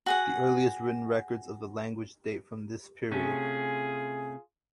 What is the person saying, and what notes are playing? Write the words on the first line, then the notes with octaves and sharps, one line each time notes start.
The earliest written records of the language date from this period.
F#4 G#4 F#5
C3 A3 C#4 F4 G#4